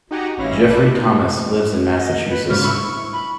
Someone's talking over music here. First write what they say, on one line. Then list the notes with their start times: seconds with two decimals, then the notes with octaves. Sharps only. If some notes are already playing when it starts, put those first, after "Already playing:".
Jeffrey Thomas lives in Massachusetts.
0.11 D#4 F#4 G4 F#5 G#5 A#5
0.37 A1 C#4 E4 F5 A#6
0.70 A4 B4 E5 A5 D6 F#6
0.83 D#4
1.97 D#5
2.29 B4
2.49 G#2 C#3 C#4 F6
2.64 E4 C#6
3.13 B5